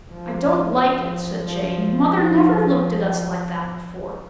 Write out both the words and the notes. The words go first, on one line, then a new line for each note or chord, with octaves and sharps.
'I don't like it,' said Jane. 'Mother never looked at us like that before.
F3
F3
F3